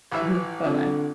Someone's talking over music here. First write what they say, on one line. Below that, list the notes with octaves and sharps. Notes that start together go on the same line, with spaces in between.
Mhm. Bye-bye.
A1 E3 E5
D3 C4 F4